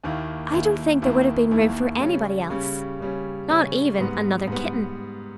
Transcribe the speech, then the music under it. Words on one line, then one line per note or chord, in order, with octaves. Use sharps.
I don't think there would have been room for anybody else, not even another kitten.
D#2 D#3 A#3 E4
D#2 D#3 A#3 E4
D#2 D#3 A#3 E4
D#2 D#3 A#3 E4
C#3 G3 C#4
C#3 G3 C#4
C#3 G3 C#4
C#3 G3 C#4
G#2 G3 B3
G#2 G3 B3